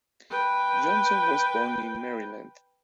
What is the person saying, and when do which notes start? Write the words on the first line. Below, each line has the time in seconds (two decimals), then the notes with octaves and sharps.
Johnson was born in Maryland.
0.30 B4 G5